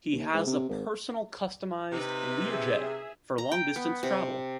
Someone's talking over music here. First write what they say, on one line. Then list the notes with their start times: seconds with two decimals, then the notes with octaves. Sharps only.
He has a personal customized Lear jet for long-distance travel.
0.12 D#2
0.33 G#2
0.47 C3
0.69 G#1
1.92 C3 D#4 B4
2.45 G#4 E5
3.38 A#5
3.52 G5
3.76 B3
4.03 C3